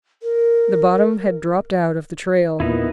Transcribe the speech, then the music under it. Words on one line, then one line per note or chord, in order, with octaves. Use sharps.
The bottom had dropped out of the trail.
A#4
E2 A#2 B3 D#4 E4